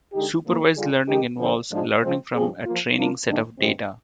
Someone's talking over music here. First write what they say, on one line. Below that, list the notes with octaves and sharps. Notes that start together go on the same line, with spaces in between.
Supervised learning involves learning from a training set of data.
D3 G#3 D#4 G4
D3 F3 A#3
D3 G3 D4 F4 G#4
D#3 G#3 D#4 G4
D3 F3 C4
G#2 F3 G#3 D4 F4
F3 G#3 C4
G2 F3 C4 F4 G#4
F3 A#3 F4
F3 A#3 D4 F4
G#2 D#3 A#3 D4
G2 D3 G#3 C4